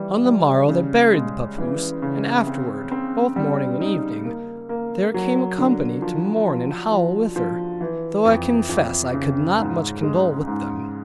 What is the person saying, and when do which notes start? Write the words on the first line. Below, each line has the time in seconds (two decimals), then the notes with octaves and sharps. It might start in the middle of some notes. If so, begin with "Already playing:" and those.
On the morrow they buried the papoose, and afterward, both morning and evening, there came a company to mourn and howl with her; though I confess I could not much condole with them.
Already playing: E3 G3
0.25 G3
0.69 C#3
1.14 G#3
1.58 E3
2.02 C#3
2.47 C4
2.91 C4
3.36 G3
3.80 D#4
4.25 A#3
4.69 A#3
5.14 F#3
5.58 D3
6.02 F3
6.48 F3
6.91 F3
7.36 F3
7.81 E3
8.25 F2
8.69 F2
9.14 C#3
9.58 G#2
10.03 G#3
10.47 G#2